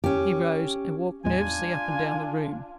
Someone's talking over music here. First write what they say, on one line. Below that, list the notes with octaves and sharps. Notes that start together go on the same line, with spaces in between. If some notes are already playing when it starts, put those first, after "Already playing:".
He rose, and walked nervously up and down the room.
C#4 G4
E2 A2 G#3 D4 F4 G#5